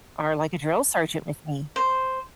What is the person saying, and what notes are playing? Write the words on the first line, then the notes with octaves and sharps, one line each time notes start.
are like a drill sergeant with me."
C5